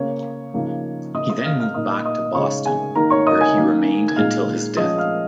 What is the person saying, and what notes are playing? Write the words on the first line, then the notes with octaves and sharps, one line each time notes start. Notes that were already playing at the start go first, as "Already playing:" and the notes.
He then moved back to Boston, where he remained until his death.
Already playing: C#3 A#3 C#4 C#5
C#3 F3 A#3 D#4
C#3 A#3 D#4 D#5 D#6
D#5 D#6
F5 F6
F5 F6
A#2 A#3 D#4 D#5 D#6
D#5 D#6
C#3 G#3 D#4 C#5 C#6
G#4 G#5
D#3 A#3 D#4 A#4 A#5
C#5 C#6
D#5 D#6
G#5 G#6
D#3 A#3 D#4
G#6
A#2 G#3 D#4 F5 F6
F3 G#3 C#4 D#5 D#6
F5 F6